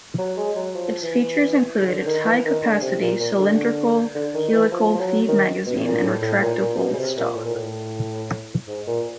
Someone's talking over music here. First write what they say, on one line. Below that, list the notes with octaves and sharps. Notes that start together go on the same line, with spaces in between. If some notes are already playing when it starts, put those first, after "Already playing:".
Its features include its high-capacity, cylindrical, helical-feed magazine and retractable stock.
F#3
G#3
F#3
F3
E3
C#3
D3
D3
D#3
E3
D#3
D3
C3
A#2
A#2
D3
D3
D#3
E3
F3
F3
F#3
D#3
B2
A2
A#2
A2
A2
A#2
A#2
B2
C#3
C3
A#2
A2
A#2
A2
G#2
A#2